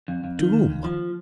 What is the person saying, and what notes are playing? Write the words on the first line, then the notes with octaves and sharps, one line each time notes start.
"To whom?"
F2
F2
D#3
D#2
D#2
F3